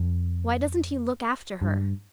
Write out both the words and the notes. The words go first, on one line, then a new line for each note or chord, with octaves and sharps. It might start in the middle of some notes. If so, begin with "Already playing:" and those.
Why doesn't he look after her?
Already playing: F2
G2